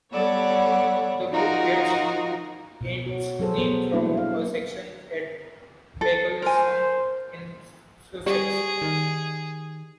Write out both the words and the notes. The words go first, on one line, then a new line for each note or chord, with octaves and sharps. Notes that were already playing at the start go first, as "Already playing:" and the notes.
The Group gets its name from a section at Bracklesham in Sussex.
G3 B3 A4 C#5 D5 F#5
F3 D#4 F4 F#4 A#4 D#5
B2
F#4 C#5
F#3 G#4 A4 C5
B2 F#3 B3 A#4
G3 A#3 D4 E4
F5
A4
A#4 C5 G#5
G3 G4 G#4 D5
D#3